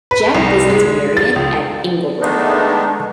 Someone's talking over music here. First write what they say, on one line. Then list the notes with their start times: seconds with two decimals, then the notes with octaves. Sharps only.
Jack visits Marian at Inglebrook.
0.11 B4
0.35 C2
0.70 G#3
1.17 A6
1.36 C#2
2.21 D#3 G#3 A3 B3 D4 D#4